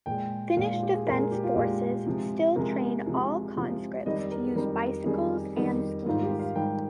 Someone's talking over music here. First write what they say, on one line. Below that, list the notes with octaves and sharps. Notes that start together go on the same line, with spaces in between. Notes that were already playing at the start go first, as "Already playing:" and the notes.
Finnish defence forces still train all conscripts to use bicycles and skis.
A#2 G#3 G5
A#2 G#3 F5
F4
G4
G#4
A#2 G#3 A#4
G#4
G4
F4
A#2 G#3 G4
C3 F3 G#3
C3 F3 G#3 A#4
C3 F3 G#3
C3 F3 G#3
F2 D#3 G3 D#5
D5
A#4
G#4
F2 D#3 G3 A#4
F2 D#3 G3 G#4
F2 D#3 G3
G#2 D#3 G3 F4
G4
F5
G#2 D#3 G3 G5